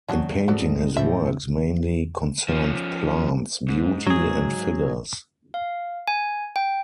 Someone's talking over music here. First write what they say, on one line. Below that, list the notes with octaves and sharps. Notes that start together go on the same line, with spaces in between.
In painting his works mainly concerned plants, beauty, and figures.
D#3 F#3 C#4 D4 F#4
G#2 F3 G#3 F#4 A4 D5
A2 E3 F3 E5
F3 C#4
G#2
F#3 G#4
F5
G#5
G5